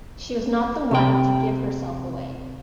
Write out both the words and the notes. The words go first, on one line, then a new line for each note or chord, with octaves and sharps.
She was not the one to give herself away.
C3 G5